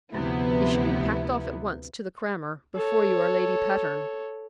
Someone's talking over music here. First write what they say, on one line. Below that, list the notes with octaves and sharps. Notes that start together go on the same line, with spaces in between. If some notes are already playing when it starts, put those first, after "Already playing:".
He should be packed off at once to the crammer, before you are Lady Patterne.
D2 C3 F3 B3 E4
A4 C#5